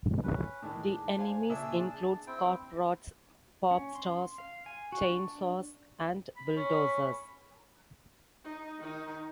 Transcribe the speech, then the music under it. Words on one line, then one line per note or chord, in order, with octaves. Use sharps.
The enemies include Corprats, Popstars, Chainsaws and Bulldozers.
C#4 B4
A2 D#3 G#3 D4
C5 F5 G#5
A#2 C#3 D4 G#4 E5 E6
D4 G#4 A5
C4 E4 G5
C#4
C6
F5
G#5
F#4
D4
B5
C#4
D#4
D#3 D#4